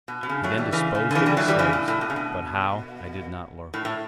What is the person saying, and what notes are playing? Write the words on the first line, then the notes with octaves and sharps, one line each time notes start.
He then disposed of his slaves, but how I did not learn.
B2
B2
C#3
F#3 A3
E3 G3
C#3 E3
C#3
D3
C#3 E3
E3 G3
F#3 A3
E3 G3
C#3 E3
A2
A2
B2
C#3
B2
A2
A2